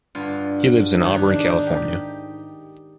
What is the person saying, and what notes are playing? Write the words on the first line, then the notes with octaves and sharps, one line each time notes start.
He lives in Auburn, California.
G2 D3 F4
G#2 D#3 D#4
D4
D4
D#4
G4